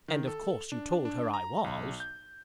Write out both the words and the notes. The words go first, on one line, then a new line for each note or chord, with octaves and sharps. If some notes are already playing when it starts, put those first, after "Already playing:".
"And of course you told her I was."
D#3
A4
D4
D4
A#5
B1
G6